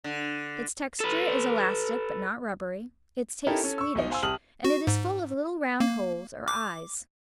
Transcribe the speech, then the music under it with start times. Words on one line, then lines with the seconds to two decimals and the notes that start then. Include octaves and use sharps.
Its texture is elastic but not rubbery, its taste sweetish, and it is full of little round holes or eyes.
0.04 D3
1.00 A4 B4
3.47 C#4 D#4 E4 G4 A4 A#4
3.64 C#4 A4
3.78 C#6 E6
3.95 B1 D#4
4.10 C5 F5 G#5 C6 E6
4.23 C2 G4 A5 D#6 F6 F#7
4.64 F#4
4.87 G#2
5.80 A#3
6.48 D6